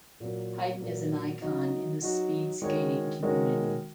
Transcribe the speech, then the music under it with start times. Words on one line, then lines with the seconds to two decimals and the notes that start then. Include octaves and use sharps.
Heiden is an icon in the speed skating community.
0.20 A#2 F#3 A#3
0.81 A#2 F#3 A#3
1.41 F#3 D#4 F#4
2.02 F#3 D#4 F#4
2.62 D#3 G#3 F#4 A#4 C#5
3.23 D#3 G#3 F#4 A#4 C#5